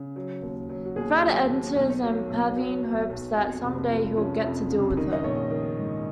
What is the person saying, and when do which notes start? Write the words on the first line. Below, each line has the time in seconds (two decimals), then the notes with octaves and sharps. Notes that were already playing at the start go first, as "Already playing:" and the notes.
Fred enters and Pavayne hopes that some day he'll get to deal with her.
Already playing: C#3
0.16 F#3
0.42 D#2
0.69 F#3
0.85 F#4
0.96 D#2 G#4
1.22 F#3
1.49 D#2
1.76 B1
2.03 F#3
2.30 B1
2.57 F#3 B3
2.83 F#3
3.10 B1
3.37 F2
3.64 F1
3.91 F3
4.17 F3 C#4
4.44 F2
4.70 C#3
4.97 D#3 D#4
5.12 D#5
5.24 A#1 C#5
5.51 D#3
5.78 G#2